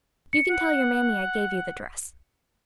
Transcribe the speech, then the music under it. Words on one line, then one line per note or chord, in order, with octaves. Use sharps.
You can tell your mammy I gave you the dress.
C#7
F#5